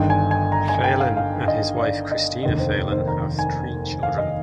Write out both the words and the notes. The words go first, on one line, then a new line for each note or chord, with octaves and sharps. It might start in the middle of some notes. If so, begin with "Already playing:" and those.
Phalen and his wife Christina Phalen have three children.
Already playing: G1 G2 D#3 G5
G#5
G#5
A#5
G#5
G5
F5
F5
D#5
D5
D#5
F1 D#2 D3 D#5
C5
A#4
C5
A#5
G#5
F5
D#5